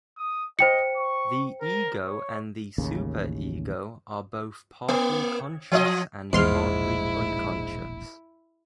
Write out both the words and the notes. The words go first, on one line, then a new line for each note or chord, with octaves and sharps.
The ego and the super-ego are both partly conscious and partly unconscious.
D#6
C5 D#5 G5 C#7
C#6
A#4
C#5
A1 D#2 C#3
A#3
F3 C#5 D#5
E1 A#1 E2 G#2 E4 C6 F6